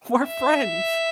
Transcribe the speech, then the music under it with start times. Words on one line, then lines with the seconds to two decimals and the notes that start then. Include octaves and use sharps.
We're friends.
0.26 E5